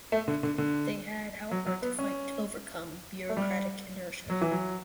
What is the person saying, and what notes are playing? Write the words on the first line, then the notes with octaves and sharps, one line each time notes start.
They had, however, to fight to overcome bureaucratic inertia.
A3
D3
D3
D3
F#3
F#3
B3
C#4
A3
G3
F#3
E3
F#3